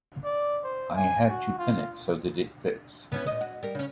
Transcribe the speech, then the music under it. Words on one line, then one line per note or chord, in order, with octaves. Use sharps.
I had to pin it so that it fits.
D5
C5
G#5
F#4
F4
B3 C#4 E4
A#2 D#5
F#4
G3 A#4
C#3 C#4